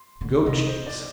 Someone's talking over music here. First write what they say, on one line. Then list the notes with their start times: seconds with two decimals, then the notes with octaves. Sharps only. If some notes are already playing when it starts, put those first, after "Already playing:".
Goat cheese.
Already playing: C6
0.21 D3
0.46 C3 D#5
0.67 C5
0.87 D5